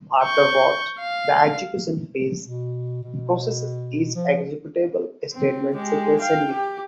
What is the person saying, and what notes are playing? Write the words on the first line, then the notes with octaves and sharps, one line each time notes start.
Afterwards, the execution phase processes each executable statement sequentially.
C#6 G6
F5
B2
B2
F3
C4
G#3 G4
F5 G5
G4